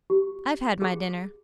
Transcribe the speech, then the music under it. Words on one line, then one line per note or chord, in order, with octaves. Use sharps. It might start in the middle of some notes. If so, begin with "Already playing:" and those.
I've had my dinner.'
G4
G#4